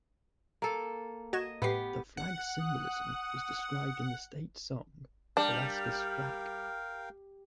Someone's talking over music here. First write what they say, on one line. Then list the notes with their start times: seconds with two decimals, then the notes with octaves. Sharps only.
The flag's symbolism is described in the state song, "Alaska's Flag".
0.62 A#3 A4
1.33 F#4 D#5 G#6 E7
1.62 A2 B3 G4 B4 C7
2.17 F#5
2.60 D#6
5.37 G3 D4 A#4 F5 G5